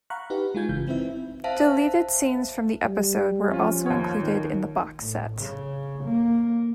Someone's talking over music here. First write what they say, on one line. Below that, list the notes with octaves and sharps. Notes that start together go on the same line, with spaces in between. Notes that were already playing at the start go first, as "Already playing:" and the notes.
Deleted scenes from the episode were also included in the box set.
F5 F#5 A#5 B5 C#6 F#6
D#4 G4 B4
G#3 D#4 F4 G#5 G6 G#6
G1 C#3 E3 G6
C4 D#4 E4 B4 E5
C5 E5 F5 A5
G3
F3 C#4 F4
D#2 C#5
D#3
A2
C#3
A#3